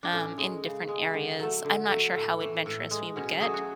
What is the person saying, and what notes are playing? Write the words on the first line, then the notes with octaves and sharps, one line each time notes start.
um, in different areas. I'm not sure how adventurous we would get
D4
A2 C#4
G#3
C#3
G#3
D3
F#3 A3
D3
F#3 A3
A2
E3 A3
A2
G#3
B2 C#4
F#3 A3 G#4
F#4